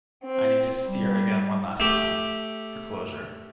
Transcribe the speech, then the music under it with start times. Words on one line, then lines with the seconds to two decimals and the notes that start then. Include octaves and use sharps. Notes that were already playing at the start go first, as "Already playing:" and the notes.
I needed to see her again one last time, for closure.
0.24 C4
0.87 G3
1.80 A3 G4